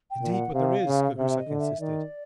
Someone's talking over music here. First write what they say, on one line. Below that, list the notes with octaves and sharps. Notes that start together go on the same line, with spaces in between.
"Indeed, but there is," Cahusac insisted.
G5
A#2
F#5
C3 F5
C#3
C3 E5
D#5
D3
E5
D#3 D5